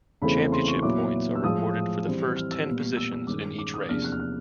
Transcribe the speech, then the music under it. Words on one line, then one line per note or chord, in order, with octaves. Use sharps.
Championship points are awarded for the first ten positions in each race.
E2 C#3 E3 A3 C4 B5
C6
C#6
A#2 F#3 B3 E4 D6
E6
A2 F3 G#3 D#6
E3 G3 C4
F6
E6
A#2 G3 B3
E6
E6
G2 D#3 G#3 C#4 D6
D6
D#6
E2 C3 F3 A#3 D4 F6
F#6
F6
F#6